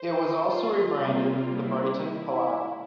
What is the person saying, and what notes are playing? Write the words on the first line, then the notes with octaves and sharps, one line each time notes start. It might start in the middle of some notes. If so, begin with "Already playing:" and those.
It was also rebranded The Brighton Palladium.
Already playing: C5
F4
C3 G3 A#3
E4